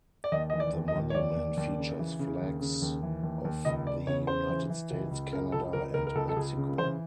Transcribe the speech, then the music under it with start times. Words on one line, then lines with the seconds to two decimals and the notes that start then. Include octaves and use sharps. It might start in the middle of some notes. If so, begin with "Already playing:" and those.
The monument features flags of the United States, Canada, and Mexico.
0.24 D5
0.32 D#2 D#5
0.50 E3 D#5
0.60 D5
0.73 D#2
0.88 D#5
0.95 D#2
1.10 C#5
1.15 D#2 D5
1.36 D#2
1.57 D#2
1.78 C#3
1.99 E3
2.19 C#3
2.41 D#2
2.61 C#3
2.82 D#2
3.03 E3
3.23 D#2
3.45 D#2
3.65 C#2 D#5
3.87 C#2 D5
4.07 C#3 C#5
4.27 C#3 C5
4.49 E3
4.70 E3
4.91 C#2
5.11 C#2
5.33 C#3 A#4
5.52 C#2 A4
5.73 C#2 A#4
5.94 C#2 A#4
6.07 A#4
6.15 C#2 A4
6.29 A4
6.36 C#2 G#4
6.57 C#3
6.78 E3 C5